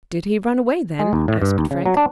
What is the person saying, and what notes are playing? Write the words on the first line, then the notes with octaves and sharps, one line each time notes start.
"Did he run away then?" asked Frank.
G#3
D#2
A2
G2
D#2
C#3
F#3
D4